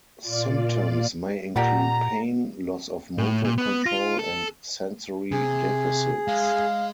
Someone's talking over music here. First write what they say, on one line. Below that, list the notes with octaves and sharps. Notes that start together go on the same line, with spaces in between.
Symptoms may include pain, loss of motor control, and sensory deficits.
A#2 F4 D5
A#2 G4 D5 F#5 A#5
A2
A#2
B3
F4
A4
C3 G#4
G#3 F5